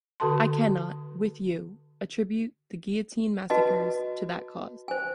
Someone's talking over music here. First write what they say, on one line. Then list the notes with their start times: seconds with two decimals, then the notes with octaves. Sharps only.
I cannot, with you, attribute the guillotine massacres to that cause.
0.20 D3 F#4 A4 A5 C6
3.50 F#4 B4 D#5 A5
4.88 C5 G#5